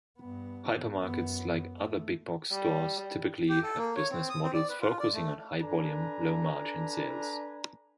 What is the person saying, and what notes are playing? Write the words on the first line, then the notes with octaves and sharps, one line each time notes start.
Hypermarkets, like other big-box stores, typically have business models focusing on high-volume, low-margin sales.
G2 B3
F#2 B3
A3
G3
G4
A4
A#3
C#5
C4
D#6
C4
D5
B4
F4
D5
A3
D4 A4 B4 G#5 A#5